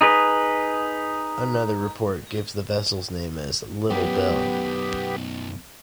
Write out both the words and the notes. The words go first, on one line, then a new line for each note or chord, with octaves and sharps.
Another report gives the vessel's name as "Little Bell".
D#4 G#4 B4
B1 F#2 B3 G4